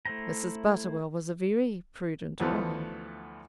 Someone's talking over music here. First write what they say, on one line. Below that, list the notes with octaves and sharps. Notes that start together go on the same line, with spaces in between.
Mrs. Butterwell was a very prudent woman.
A3 E4 C5 G5 A#5
D2 E3 F3 A3 B3